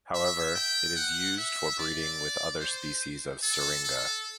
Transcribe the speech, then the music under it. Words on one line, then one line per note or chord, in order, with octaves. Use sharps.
However, it is used for breeding with other species of "Syringa".
E5
G5
F#5
E5
D5
C5
A4
A4